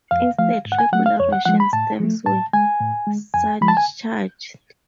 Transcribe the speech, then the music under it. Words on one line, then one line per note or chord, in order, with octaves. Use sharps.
Instead, regular Russian stamps were surcharged.
F2 F5
F3 A3 F5
G#2
F#5
G#5
F#3 A3 F#5
F5
F2 C#5
F#5
F3 G#3 F#5
B5
A2 A5
F3 A3
A2 A5
G#3 G#5
A2
G#3
F2 G#5
F3 G#3 B5
A5
G#5